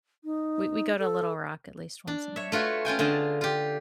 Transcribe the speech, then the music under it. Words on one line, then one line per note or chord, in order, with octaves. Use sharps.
We we go to Little Rock at least once a month, so
D#4
A4
D4
C#5 E5
A3 F4 F#4 B4 C#5
C#4 F4 G5 G#5
D3 F4 G#4 G5 A5
F4 G4